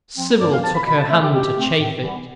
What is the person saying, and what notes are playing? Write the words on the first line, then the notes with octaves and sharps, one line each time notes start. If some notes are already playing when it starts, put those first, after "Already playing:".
Sybil took her hand to chafe it.
F3 C4
G2 D5
F5
F3 C4 A5
B5
B2 B5
A5
A3 C4 E5
G4
B2 G4
A3 C4
A2
E3 G3 B3